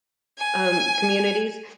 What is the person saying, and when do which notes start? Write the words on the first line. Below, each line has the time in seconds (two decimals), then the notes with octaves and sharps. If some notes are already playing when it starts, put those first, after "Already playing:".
um, communities,
0.39 G#5